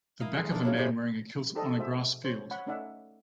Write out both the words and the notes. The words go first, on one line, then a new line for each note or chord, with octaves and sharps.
The back of a man wearing a kilt on a grass field.
E4 A#4 D#5 F5
G#3 A3
D4 D#4 A4 A#4
C#3 F#3 E4
A2 C3 G#3 E4
D#4 G4 A4 C5 D5 D#5
F#4 G#4 C5 E5
C#4 C5 C#5
C#5 F#5 B5
A3 C#4 D#4 D5 E5 F#5